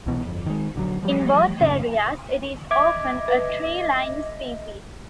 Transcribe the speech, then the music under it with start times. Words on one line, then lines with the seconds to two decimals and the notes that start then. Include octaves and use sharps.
In both areas, it is often a tree line species.
0.06 C2 B2 E3
0.25 G1 F2
0.46 D#3 G#3
0.75 A#1 D3 F#3
1.03 F3 G3
1.61 D#1 A#1 F#2 C#3
2.71 D#5 E5 D6 G#6
3.28 B4